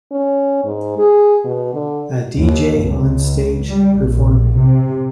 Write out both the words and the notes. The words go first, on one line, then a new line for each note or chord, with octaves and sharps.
A DJ on stage performing.
C#4
G#2
G#4
B2
D3
D#2
C#2
G3
A#1
C3